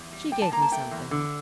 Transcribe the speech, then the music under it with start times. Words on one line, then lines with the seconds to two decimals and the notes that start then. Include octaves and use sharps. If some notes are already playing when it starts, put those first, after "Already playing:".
She gave me something.'
Already playing: E2
0.12 G3
0.32 G3 G5
0.42 A5
0.52 A#3 A#5
0.62 A5
0.72 A3 G5
0.91 E2
1.11 D3